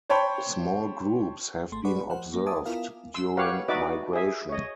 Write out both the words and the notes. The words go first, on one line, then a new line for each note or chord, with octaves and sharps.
Small groups have been observed during migration.
C5 C#5 G5 A5 B5 C#6
G#1 A3 C6
G#4 B4 D5 F#5 B5 C#6
F3 C5 F#5
A#3
E5 G#5 A5 D6 D#6
B3 E4 F4 A#4 F5
C6 E6
G4 B4 C#5 F5 F#5
D#4 F#4 B4 D5 E5 D6
G#4 E5
C#5 D#5